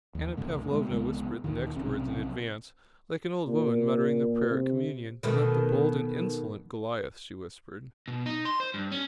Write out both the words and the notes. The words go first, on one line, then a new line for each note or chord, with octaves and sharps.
Anna Pavlovna whispered the next words in advance, like an old woman muttering the prayer at Communion: "Let the bold and insolent Goliath..." she whispered.
D#2
C2 F#2 C#3 A3
C3 G#3 A3 B3
C2 C#3 G#3 B3
D2 A#2 D#3
B1 C3 C4 C#4
A#2
C3
B2 D#3 A3
B2
D#4
C6
C5
G2
C#4